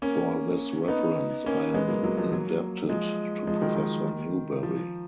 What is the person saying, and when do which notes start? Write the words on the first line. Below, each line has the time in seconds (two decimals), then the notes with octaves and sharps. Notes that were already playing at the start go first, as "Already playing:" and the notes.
For this reference I am indebted to Professor Newberry.
0.02 A#3 C#4
0.88 B3 D#4
1.46 A#3 C#4
1.74 G#3 B3
1.88 F#3 A#3
2.04 F#3 A#3
2.17 F3 G#3
2.32 F#3 A#3
2.89 F3 G#3
3.47 F3 G#3
3.62 D#3 F#3
3.76 D#3
4.63 F3